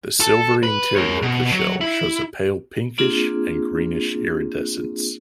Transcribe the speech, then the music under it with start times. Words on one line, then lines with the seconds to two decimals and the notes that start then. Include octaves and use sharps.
The silvery interior of the shell shows a pale pinkish and greenish iridescence.
0.21 A4
0.63 B4
0.96 A#4 C#5
1.22 B2
1.52 F#3
1.81 E4
2.98 A#3 C4 D4 F4 G#4